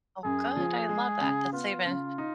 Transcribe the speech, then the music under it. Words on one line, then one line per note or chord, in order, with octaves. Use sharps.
Oh, good, I love that. That's even
F#2 G#4
F3
G#3
C#3
B3 F4
C#3
D#4